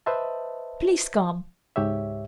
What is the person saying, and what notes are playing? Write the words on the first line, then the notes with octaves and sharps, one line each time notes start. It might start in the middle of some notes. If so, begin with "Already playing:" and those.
Please come!
B4 C5 D#5 E5 A5
C#2 G#2 G4 C#5 E5